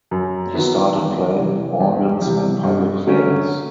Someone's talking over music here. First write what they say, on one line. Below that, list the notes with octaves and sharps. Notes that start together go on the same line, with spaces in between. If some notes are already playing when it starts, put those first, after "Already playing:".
He started playing organs on public fairs.
F#2
D#3 F#3 B3 E4
E2
C3 E3 G3
E2
C3 E3 G3
G2
D3 F#3 A3 C#4